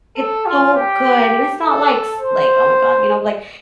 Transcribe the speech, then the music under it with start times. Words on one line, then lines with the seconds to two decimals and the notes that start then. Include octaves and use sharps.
it's so good, and it's not like s like, oh my god, you know, but like like,
0.17 A4
0.46 F4
0.75 G4
1.62 A4
2.19 C5